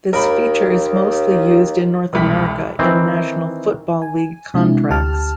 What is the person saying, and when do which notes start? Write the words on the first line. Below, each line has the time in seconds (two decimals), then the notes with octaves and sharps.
This feature is mostly used in North America in National Football League contracts.
0.13 D#2 A#4 B5
2.13 E1 C2 B6
2.79 D#3 E3 C4
4.02 G#5
4.54 C3 G#3 D4 E4
4.90 D2 G4 A5 F6